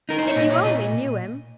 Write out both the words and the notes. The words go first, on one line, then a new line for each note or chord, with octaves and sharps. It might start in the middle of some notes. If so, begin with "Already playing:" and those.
If you only knew him!
D#4 A#4
C5
C#5
A#2 D#5
C#5
A#2 D#5